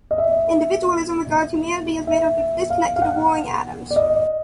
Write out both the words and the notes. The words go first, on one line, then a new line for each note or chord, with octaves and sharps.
Individualism regards humanity as made up of disconnected or warring atoms.
D#5
E5
E5
F5
F5
F#5
D5
D#5